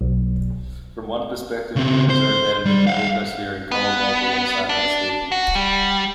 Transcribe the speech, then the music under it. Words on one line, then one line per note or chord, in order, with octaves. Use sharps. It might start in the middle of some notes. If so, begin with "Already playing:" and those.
From one perspective, humans are embedded in the ecosphere and co-evolved alongside other species.
B1
C#3 C4
C5
G3
F5 F#5
B3
D4
F#4
G3